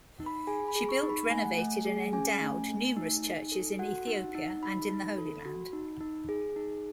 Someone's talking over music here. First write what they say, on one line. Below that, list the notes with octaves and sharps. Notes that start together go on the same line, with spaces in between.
She built, renovated and endowed numerous churches in Ethiopia and in the Holy Land.
D#4
B5
G#4 G#5
B5
G#4
C#6
D#4
B5
A3 G#5
F#5
G#5
A3
G#4
C#4 G#5
A3
A3
D#4
D#4
A4
F#4 F#5
D#4
D#4
D#4 B5
D#4
A4
F#4
D#4
D#4
G#4
D#4